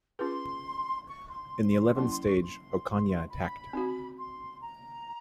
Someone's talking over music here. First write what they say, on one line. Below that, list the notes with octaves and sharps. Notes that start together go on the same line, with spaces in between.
In the eleventh stage, Ocana attacked.
C#4 F4 G#4 B4 C6
C#6
C6
F#3 A#3 C#4 E4 C6
C6
C#6
C6
B5
C4 D#4 F#4
C6
A#5